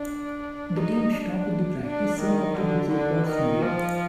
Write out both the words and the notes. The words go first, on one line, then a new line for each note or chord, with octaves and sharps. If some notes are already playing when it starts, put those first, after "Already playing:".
The team stopped the practice soon after the threat was made.
Already playing: D4
D#4
D4
D4
D#3
D3
D3
D#3
F3